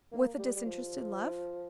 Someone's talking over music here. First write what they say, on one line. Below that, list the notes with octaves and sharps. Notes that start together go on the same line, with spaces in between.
"With a disinterested love?"
A#3
G3
G3
F3